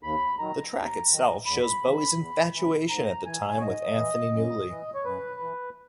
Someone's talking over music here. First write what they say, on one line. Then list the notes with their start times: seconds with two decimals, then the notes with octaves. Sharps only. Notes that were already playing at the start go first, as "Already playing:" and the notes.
The track itself shows Bowie's infatuation at the time with Anthony Newley.
0.03 D#2 B5
0.39 D#3 F#3 A#5
0.74 D#2
1.11 D#3 F#3
1.46 E2 B5
1.82 C#3 E3
2.18 E2
2.53 C#3 E3
2.89 G#2 A#5
3.26 E3 G#5
3.57 C#5
3.61 G#2 D#5
3.97 E3
4.33 F#2
4.69 E3
4.94 C#5
5.05 F#2 B4
5.40 E3